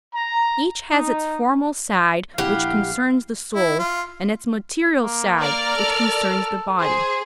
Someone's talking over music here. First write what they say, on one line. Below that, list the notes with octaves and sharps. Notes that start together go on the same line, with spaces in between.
Each has its formal side which concerns the soul, and its material side which concerns the body.
A#5
D#4
A#1 E4 G4 F5 F#5
E4
F4
A#3
A#4 D5 F6
A4
G#4 C5